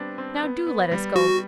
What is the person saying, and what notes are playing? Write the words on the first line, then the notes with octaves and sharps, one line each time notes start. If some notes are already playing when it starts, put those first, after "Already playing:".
Now DO let us go.
Already playing: G3 B3 C4 D4
C4
B3
B3
G3
F#4